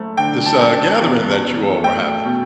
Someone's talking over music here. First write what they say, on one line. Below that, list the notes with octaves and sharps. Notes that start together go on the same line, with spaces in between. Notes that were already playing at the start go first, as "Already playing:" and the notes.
this, uh, gathering that you all were having.
Already playing: F#1 A3
D3 G5
A5
F#2
A5
E2
E2
A3 G5
B2